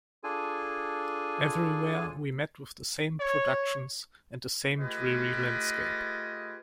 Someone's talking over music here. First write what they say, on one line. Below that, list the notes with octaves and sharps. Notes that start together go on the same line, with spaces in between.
Everywhere we met with the same productions, and the same dreary landscape.
D4 F4 G#4 A4 G#5
C#5
A3 F4 G4 G#4 B4 D#5